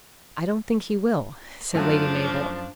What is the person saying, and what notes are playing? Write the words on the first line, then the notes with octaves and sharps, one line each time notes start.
"I don't think he will," said Lady Mabel.
F#2 F3 F#3 A3 D4 G#5